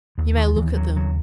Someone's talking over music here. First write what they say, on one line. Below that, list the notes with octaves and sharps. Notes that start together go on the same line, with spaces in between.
"You may look at them."
D#2 D#3
D#3
D#2 E3
F#3
C#3 F#3